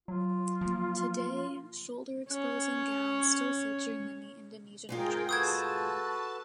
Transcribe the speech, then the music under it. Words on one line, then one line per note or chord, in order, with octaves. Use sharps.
Today, shoulder-exposing gowns still feature in many Indonesian rituals.
F#3 F4
F3 A#3
C#4 C#5
G#2 G#3 F4 G#4 A#4 G5
F#4 A4 B4 A5 D#6 G6 G#6